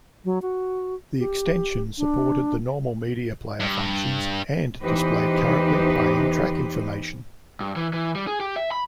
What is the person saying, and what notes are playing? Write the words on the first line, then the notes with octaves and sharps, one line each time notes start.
The extension supported the normal media player functions and displayed currently playing track information.
F#3
F#4
G4
D4
G2
E2 E3 D#4 G4 B4 C5
G2
E3
E3
G3
G#4
G4
E5
B5